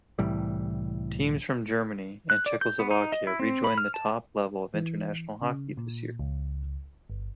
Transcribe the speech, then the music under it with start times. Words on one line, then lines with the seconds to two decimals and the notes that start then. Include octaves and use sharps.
Teams from Germany and Czechoslovakia rejoined the top level of international hockey this year.
0.19 C2 A2 E3 G3
2.30 F#6
2.46 D5
2.61 G6
2.79 B3
2.91 D#4
3.12 D#5
3.27 E4
3.40 C4
3.64 B5
3.78 F6
3.94 A5
4.74 E3
5.42 C#3
5.77 A#2
6.19 C#2
7.10 G1